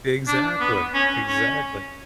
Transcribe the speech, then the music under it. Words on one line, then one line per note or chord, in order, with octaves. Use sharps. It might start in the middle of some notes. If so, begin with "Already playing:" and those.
Exactly, exactly.
D4
B3
C#4
C#4